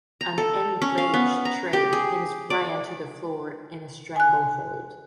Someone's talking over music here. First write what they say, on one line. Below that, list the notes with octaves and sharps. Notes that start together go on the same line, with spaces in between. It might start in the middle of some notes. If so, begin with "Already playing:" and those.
An enraged Trey pins Ryan to the floor in a stranglehold.
A#5
A4
C#4
F5
B3
A#5
G4
G#4
D5
G#5 F#6